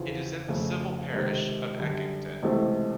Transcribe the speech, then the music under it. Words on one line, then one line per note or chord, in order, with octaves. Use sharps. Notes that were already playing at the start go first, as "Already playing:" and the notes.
It is in the civil parish of Eckington.
Already playing: E2 C#3 F3
F2 C#3 F3 A3
C#2 C3 D#3
F#2 D3 G3
C#2 C3 E3 A3 C4